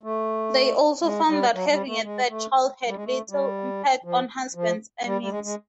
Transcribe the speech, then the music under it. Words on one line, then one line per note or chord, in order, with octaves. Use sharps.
They also found that having a third child had little impact on husbands' earnings.
A3
G#3
G3
F#3
G3
A3
G#3
A3
G3
G#3
A3
G3
F3
F3
G3
G3
G#3
G#3